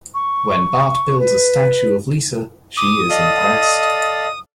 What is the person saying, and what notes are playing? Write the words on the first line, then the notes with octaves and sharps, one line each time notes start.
When Bart builds a statue of Lisa, she is impressed.
C#6
B4
D6 D#6
A4 D5 D#5 F5